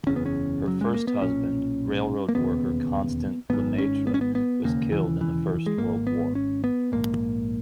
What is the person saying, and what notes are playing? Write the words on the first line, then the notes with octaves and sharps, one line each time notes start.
Her first husband, railroad worker Constant Lemaitre, was killed in the First World War.
F#1 E2 C#3 C#4
B3
C#4
F#3
G#3
A#3
B3
B1 A#2 C#4
A#3
E1 D#2 C#3 B3
G#1 G#2 B3
C#4
B3
C#4
B3
B3
E1 D#2 C#3 A#3
E3
E3
G#3
G#1 G#2 A#3
B3
C#4
B3
A#1 G#2 A#3